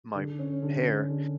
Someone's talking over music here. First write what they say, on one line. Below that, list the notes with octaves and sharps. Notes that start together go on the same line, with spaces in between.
my hair,
D3
C#4
D3
C#4
D3